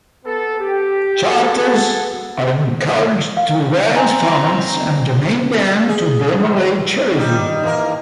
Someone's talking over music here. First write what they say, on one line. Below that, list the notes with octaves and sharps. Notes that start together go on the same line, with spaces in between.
Chapters are encouraged to raise funds and donate them to a DeMolay charity.
B3 A4
G4
F#4 G#4 A4
F5
C4 G#5 A#5
G#4
E2
D#3 G3 D#4
E3 A#3 A#4